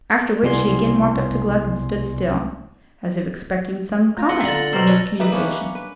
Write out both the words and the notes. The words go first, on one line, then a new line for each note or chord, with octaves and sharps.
After which, he again walked up to Gluck and stood still, as if expecting some comment on his communication.
C2 G3 B3 D5 G#5 C6
F4 A#5
B3 B4 E6 A#6 C#7
D3 D4 A6 F#7
B2 C5 D5 A#5 E6
C#4 D4 B4
E3 G3 D#4 B4 E5
A#3 C#4 D4
F#5
B4